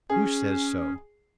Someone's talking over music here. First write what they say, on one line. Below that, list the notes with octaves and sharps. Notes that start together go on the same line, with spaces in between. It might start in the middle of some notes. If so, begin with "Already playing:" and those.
"Who says so?"
C#4 G#4